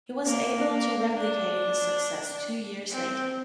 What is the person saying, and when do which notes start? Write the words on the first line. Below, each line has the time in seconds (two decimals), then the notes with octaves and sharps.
He was able to replicate this success two years later.
0.26 A#3
0.70 A#3
1.15 D4
2.91 C4